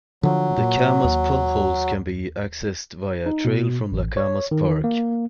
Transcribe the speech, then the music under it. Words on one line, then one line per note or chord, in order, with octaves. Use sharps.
The Camas Potholes can be accessed via a trail from Lacamas Park.
D3 F3 F#3
A#2
D#2
D#4
B2
A1
C#5
D#3
A#3